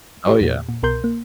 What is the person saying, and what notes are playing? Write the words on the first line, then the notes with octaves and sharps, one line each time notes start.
Oh, yeah.
G4
E2 A#2
A#2
C2 B2 A#4 C6 G6
A#3